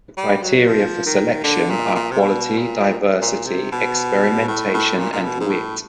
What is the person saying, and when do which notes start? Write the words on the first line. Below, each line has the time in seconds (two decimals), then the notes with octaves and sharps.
The criteria for selection are quality, diversity, experimentation and wit.
0.17 G3
0.42 F#3
0.67 F3
1.06 D#3
1.43 D3
1.70 A#2
1.95 A#2
2.11 C3
2.20 B2
2.58 A#2
3.21 A#2
3.46 C3
3.72 B2
4.48 A2
4.74 A2
4.98 A#2
5.12 A#2
5.24 B2
5.40 G#2
5.49 A2